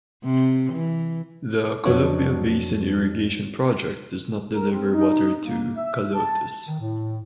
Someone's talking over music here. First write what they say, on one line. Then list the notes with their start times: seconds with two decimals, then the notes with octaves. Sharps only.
The Columbia Basin Irrigation Project does not deliver water to Kahlotus.
0.24 C3
0.73 E3
1.85 F2 F#3 B3 D4 C#5
4.53 A#4
4.72 C4
4.93 D#4
5.42 A#3
5.76 E5
6.14 A5
6.67 D#3
6.80 A2